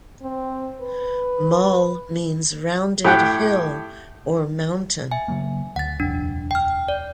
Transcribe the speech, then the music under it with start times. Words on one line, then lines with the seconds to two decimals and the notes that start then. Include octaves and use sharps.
Mull means rounded hill or mountain.
0.23 C4
0.81 B4
3.05 A2 G4 F#5 G5
5.12 E5 G#5
5.28 C#3 F#3 A#3
5.76 D2 F#5 A6
6.00 D#1 C2 F2 D4
6.51 G5 F6
6.88 D5